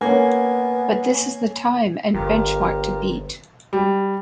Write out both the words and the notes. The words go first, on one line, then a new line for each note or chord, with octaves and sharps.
But this is the time and the bench mark to beat.
A#3 B3 C#4 G#5
G1 F4 G4 A#4
G3